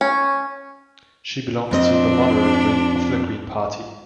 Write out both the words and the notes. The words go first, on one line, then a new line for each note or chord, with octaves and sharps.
She belongs to the moderate wing of the Green Party.
C#4
F2 C4 D4 D#5